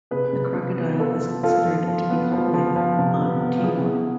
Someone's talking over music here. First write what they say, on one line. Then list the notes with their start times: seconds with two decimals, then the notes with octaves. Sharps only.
The crocodile is considered to be holy on Timor.
0.11 C3 G#4 B4
0.33 C3
0.55 C3
0.77 B3
0.99 F3 F4 A4
1.22 F3
1.43 F3 F4 A4
1.65 F3
1.88 F3
2.10 B3
2.32 F3
2.54 F3
2.76 F3
2.98 C3
3.20 B3
3.42 B3
3.58 F4
3.63 B3 E4 G#4
3.86 B3